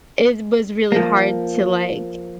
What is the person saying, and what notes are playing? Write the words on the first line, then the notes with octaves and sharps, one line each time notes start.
it was really hard to, like,
F3 A#3